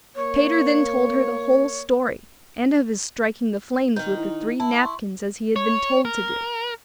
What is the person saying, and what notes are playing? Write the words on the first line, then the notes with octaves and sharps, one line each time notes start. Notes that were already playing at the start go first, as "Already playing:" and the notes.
Peter then told her the whole story, and of his striking the flames with the three napkins as he had been told to do.
A#3 C#5
D#3 D#4 G6
E4
E4 A5
C6 C#6
C#5
A#4